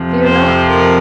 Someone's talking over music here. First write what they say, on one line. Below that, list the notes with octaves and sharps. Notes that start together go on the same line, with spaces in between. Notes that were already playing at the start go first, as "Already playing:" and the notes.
"Fear not!"
Already playing: F2 C3 F3
C5
A#4